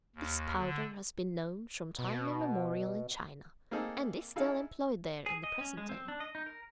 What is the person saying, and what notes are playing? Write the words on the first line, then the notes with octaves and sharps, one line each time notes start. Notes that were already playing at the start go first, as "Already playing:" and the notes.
This powder has been known from time immemorial in China, and is still employed there in the present day.
D#2
D3
B2
A#3 C4 D#4 G#4 A4
D#4 E4 G#4 A4 F5
G#4
D#5
C#4
G#3
C4
D4
D#5
D#4
A#4